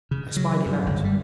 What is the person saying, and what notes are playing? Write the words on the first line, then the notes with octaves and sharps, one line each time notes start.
I spied him out! ...
C#3
F#3
G2
G1
G3